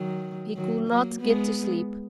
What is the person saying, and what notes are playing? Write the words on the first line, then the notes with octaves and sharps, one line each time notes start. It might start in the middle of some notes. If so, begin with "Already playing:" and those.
He could not get to sleep.
Already playing: D#3 F#3
D#3 F#3
F#3 A#3
G#3 B3